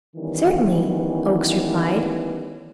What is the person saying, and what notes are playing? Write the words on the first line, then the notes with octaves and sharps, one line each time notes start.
"Certainly," Oakes replied.
D#3 E3 G3 B3 C#4